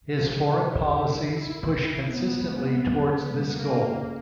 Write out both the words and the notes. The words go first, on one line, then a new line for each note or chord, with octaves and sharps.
His foreign policies pushed consistently towards this goal.
F3 G#4
C#3
B2
C3 G4
C#3
D3
D#3 E4
B3
G3
G#3
G#3
G3
F#3
F3 B3
F3
G#3
G3
C#3 A#3